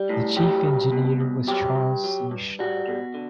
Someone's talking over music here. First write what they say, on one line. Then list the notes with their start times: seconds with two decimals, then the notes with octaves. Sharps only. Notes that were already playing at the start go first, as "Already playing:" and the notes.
The chief engineer was Charles C. Schneider.
Already playing: G3
0.09 A2
0.36 F#3 G4
0.65 G2
0.92 B2
1.20 C2
1.48 F#3 G4
1.75 G2
2.04 F#3
2.31 G2
2.59 G3 F#4
2.88 B2
3.14 D3